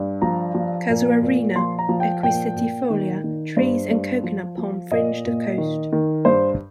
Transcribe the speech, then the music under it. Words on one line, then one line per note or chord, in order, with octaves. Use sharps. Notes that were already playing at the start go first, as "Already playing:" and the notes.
"Casuarina equisetifolia" trees and Coconut palms fringe the coast.
Already playing: G2
F3 A#5
F3
A#2
A#2
F3 C6
A#5
F3
G5
A#2 G5
A#2
D#3
D#3
G2 C5
G2
F3
F3
A#2 D#5
A#2
D#3
D#3
G2 C5